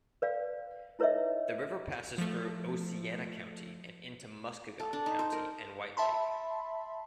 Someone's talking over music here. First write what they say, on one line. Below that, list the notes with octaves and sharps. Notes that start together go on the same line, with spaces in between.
The river passes through Oceana County and into Muskegon County and White Lake.
B4 D5 F5
D#4 E4 B4 C#5 D#5 E5
F3 A3
A4
D4
D#4
C5
A#4
E5 A5 B5 C6